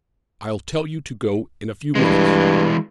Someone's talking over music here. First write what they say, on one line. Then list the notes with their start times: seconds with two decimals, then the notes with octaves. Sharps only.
"I'll tell you to go in a few minutes."
1.95 G2 E3 G#3